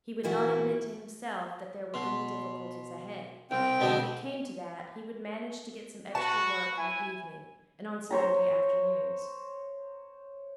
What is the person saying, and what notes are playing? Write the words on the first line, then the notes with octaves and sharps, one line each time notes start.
He would not admit to himself that there were any difficulties ahead; if it came to that, he would manage to get some extra work in the evening and on Saturday afternoons.
A#2 E3 A#3 E4 F#4
B2 C6
C2 C4 G5
B2 D3 G3 G#3 B3 D#5 A5
F#4 B4 A5
E4 G#5
C5 C#5 A#5